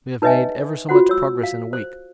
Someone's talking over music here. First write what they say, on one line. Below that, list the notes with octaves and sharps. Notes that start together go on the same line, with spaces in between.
We have made ever so much progress in a week.
D#4 B4 C#5 D#5 E5 G#5
F4 F#4 C5 F#5
C#5 E6
F5
C5